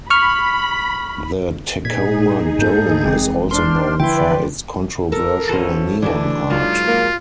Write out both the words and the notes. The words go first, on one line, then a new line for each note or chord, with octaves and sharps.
The Tacoma Dome is also known for its controversial neon art.
B5 C#6 F6
A#2 D#4 G#4 G#6 B6
G#2 A#3 A4 G6
F1 E3 G#3 C4
D4 C5 C6 F6 C7
D3 F3 E4 B4 D5 G5 C6
A4 A#4
E3 C#4 F#4 A4 C5
B2 D3 E3 A3 D4
D#3 F#3 G#3 F4
A#3